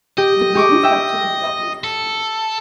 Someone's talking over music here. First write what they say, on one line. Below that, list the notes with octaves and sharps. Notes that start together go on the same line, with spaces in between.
The global structure of the document.
G4 D#5
G4 C#6 D6
E5 G5
A4